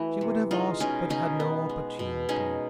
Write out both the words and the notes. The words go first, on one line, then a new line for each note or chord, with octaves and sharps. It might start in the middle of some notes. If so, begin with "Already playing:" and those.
She would have asked, but had no opportunity.
Already playing: E3 A3 E4 F#4
C3
G#3 D#4 F4
B2 C#4 D#4
B2 C#4 D#4
B3
G#3
B2
G#3 C#4 D#4